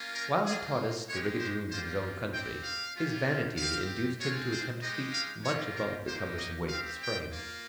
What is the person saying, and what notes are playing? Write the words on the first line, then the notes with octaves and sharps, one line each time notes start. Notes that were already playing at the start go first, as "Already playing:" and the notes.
While he taught us the rigadoons of his own country, his vanity induced him to attempt feats much above the cumbrous weight of his frame.
Already playing: A#3 C#4 F4
A#4
A#3 F4 G#4
G#3 D#4 G4 C#5
C5
G3 A#3 F4 C5
C4 G4 G5
F5
G3 C#4 F4
C4 G4 F5
G#3 C4 F4 C#5
C5
G#3 D#4 G4 D#5
F5
G3 A#3 F4 C#5
A#4
A#3 D#4 G4 C5
D#5
C4 G4 F5
G5
A#3 F4